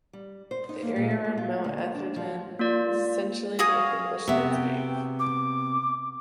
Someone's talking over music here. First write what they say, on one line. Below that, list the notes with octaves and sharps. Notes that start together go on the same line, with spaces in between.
The area around Mount Atherton is essentially an open bush landscape.
G3
C5
D#4
A#3
A#2
A3
A#3
F4
D2
D#2
D4
F3
A#3 F4 D5
F#4 G#4 F5 D#6
C3 B3 E5
G5
D6